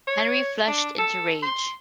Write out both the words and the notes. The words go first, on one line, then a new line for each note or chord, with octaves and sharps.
Henry flushed into rage.
C#5
D4
A4
C6